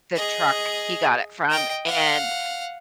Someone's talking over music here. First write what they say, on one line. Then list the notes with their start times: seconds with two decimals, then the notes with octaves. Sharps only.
the truck he got it from, and
0.16 G#4 D#5
1.50 D#5 G5
1.86 F5 F#5